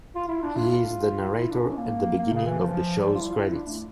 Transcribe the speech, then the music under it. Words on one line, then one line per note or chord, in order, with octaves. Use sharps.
He is the narrator at the beginning of the show's credits.
F4
E4
D4
F4
E4
D4
C#4
A#3
A#3
C#3
E3
F3
G3
F4
E4
F4
E4
D4
A3